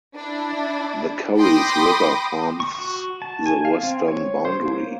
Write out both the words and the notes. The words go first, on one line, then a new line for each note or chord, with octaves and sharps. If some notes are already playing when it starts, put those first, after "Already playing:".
The Curries River forms the western boundary.
D4 E4
G5 B5 C6 D6 D#6 A#6
C#6
F#4
A5
G#5
F5
C4
C#5
C5
A#3